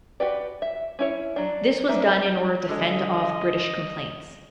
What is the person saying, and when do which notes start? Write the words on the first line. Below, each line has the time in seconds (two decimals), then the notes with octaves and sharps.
This was done in order to fend off British complaints.
0.20 F#4 G4 B4 D5
0.62 E5
0.99 C#4 E4 C#5
1.36 F#3 D4
1.89 D4 D#4 E5
2.69 D3 G#3 D#5